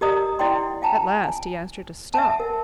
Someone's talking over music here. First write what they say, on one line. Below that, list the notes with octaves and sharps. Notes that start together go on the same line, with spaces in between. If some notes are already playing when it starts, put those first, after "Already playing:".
At last he asked her to stop.
G4 A#4 D5 D#5 A#5 D#6
E4 D5 F#5 G5 C6
F5 G5 A5 A#5
G#5
E5 F#5 G#5 A5
A#4